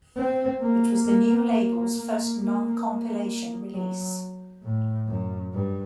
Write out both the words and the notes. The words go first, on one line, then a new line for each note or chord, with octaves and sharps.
It was the new label's first non-compilation release.
C4
A#3
A#3
A#3
A#3
A#3
A#3
F#3
A2
F#2
G2